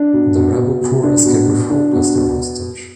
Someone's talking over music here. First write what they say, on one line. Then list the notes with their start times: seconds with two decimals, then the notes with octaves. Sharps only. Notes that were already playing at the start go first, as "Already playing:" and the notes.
The rebel poor escape with Hope as their hostage.
Already playing: D4
0.13 B2
0.36 B2
0.58 B2
0.80 B2
1.03 D4
1.26 B2
1.47 B2
1.70 D4
1.92 B2
2.15 B2